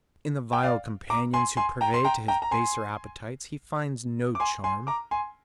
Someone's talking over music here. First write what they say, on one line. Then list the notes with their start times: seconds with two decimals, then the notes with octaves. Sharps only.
In the vile companions who purvey to his baser appetites he finds no charm.
0.53 G5
0.63 D5 F5
1.10 A#5 D6
1.33 G#5 C6
1.57 G#5 C6
1.81 G5 A#5
1.94 C6
2.04 G5 A#5
2.28 G5 A#5
2.42 A#5
2.51 G#5 C6
4.35 D6
4.40 G#5 C6
4.64 G#5 C6
4.87 A#5 D6
5.11 G#5 C6